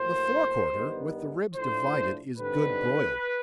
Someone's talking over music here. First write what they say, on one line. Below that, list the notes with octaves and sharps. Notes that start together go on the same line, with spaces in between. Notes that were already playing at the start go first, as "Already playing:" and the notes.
The fore quarter, with the ribs divided, is good broiled.
Already playing: A2 F#3 A#3 C5
G2 D#3 G3 B3 D#4
A2 F3 A3 D4 C5
D3 G3 C4 D#4 B4